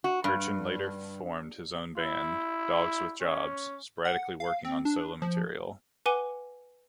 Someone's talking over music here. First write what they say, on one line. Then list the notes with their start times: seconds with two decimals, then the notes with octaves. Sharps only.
Kirchin later formed his own band, Dogs With Jobs, sporadically working on solo material.
0.04 F#4
0.24 G2
1.97 E4
3.21 C#4
4.05 F#5
4.40 F5
4.65 C4
4.85 D4
5.22 F3
6.06 B4 F#5 G#5 D6 D#7 G7